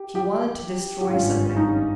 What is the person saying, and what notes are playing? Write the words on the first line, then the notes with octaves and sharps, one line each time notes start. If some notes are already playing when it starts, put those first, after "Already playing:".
She wanted to destroy something.
Already playing: G4
G4
G4
G#1 G2 G3 C#4 F4
D#4